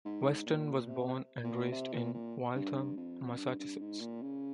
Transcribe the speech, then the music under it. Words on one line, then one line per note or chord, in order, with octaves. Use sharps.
Weston was born and raised in Waltham, Massachusetts.
G#2
A#2
C3
A#2
C3
A#2
A#2
G2
F2
G2
G2
G#2
A#2
C#3